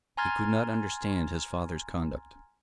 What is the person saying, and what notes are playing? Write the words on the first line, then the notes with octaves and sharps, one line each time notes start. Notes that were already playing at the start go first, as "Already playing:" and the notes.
He could not understand his father's conduct.
G#5 A#5 C6 F6 G#6 A6